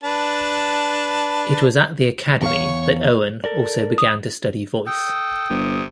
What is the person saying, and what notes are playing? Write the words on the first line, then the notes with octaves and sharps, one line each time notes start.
It was at the Academy that Owen also began to study voice.
D4 B4 A5
E2 C#5 F5 C#6
A4 A#4 D5
D#6
A4 G5 D#6
G1 C3